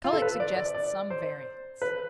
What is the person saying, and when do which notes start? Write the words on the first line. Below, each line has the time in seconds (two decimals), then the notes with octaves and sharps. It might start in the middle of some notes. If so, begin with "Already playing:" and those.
Kullak suggests some variants.
0.04 F4
0.13 A4
0.22 B4
0.40 D5
0.56 D5
0.75 D5
1.10 C5
1.82 B4